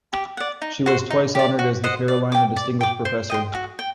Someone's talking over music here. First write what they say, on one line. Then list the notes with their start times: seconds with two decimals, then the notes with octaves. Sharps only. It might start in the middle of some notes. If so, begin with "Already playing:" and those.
She was twice honored as the Carolina Distinguished Professor.
0.13 G4
0.37 D5 F#5
0.62 D#4
0.86 F#4 C5
1.10 D#4
1.35 G4 D5
1.59 F#4
1.84 C5 D#5 F#5
2.08 D5
2.32 G5 D6
2.56 D5
2.81 G5 D6
3.05 C5
3.30 D#5 G5 C6
3.55 F#4
3.79 G5